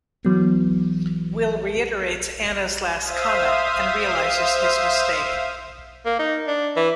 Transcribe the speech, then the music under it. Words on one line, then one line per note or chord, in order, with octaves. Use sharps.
Will reiterates Anna's last comment and realizes his mistake.
E3 F#3 B3
C5 E5 F5 D#6
A#3
D#4
D4
E3